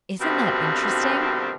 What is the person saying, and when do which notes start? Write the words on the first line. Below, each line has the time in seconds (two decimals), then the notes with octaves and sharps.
Isn't that interesting?
0.20 D2 G2 B2 D#3 F3 C4